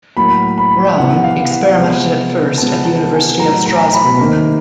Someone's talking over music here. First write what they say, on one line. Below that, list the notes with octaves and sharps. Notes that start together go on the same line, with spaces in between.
Braun experimented at first at the University of Strasbourg.
A2 F#3 A#3 B5
B5
C3 E3 G3 B3 F#5
F5
F#5
C3 F3 G#3 B3
C3 F3 G#3 B3 A5
A5
G#5
A2 F#3 A3 A#5
A#5
B5
C3 D#3 G3 A#3